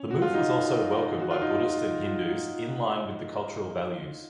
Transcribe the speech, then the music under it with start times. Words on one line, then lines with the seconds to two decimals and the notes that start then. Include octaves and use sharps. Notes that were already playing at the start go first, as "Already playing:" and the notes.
The move was also welcomed by Buddhists and Hindus inline with the cultural values.
Already playing: C#4
0.10 F#4
0.22 F4
0.34 D#4
1.20 F#4
1.31 F4
1.41 D#4
1.51 F4
1.63 F4
2.06 F4